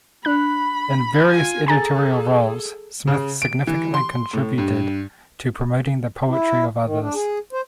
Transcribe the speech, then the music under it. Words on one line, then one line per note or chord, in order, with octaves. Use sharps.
In various editorial roles, Smith significantly contributed to promoting the poetry of others.
D4 B5 F#6
F4 G#5
G#4 A4 G#5 A#5 A6
C#3
D7
E3
C6
A2
G2
E4
D#3
D4
G#4
C5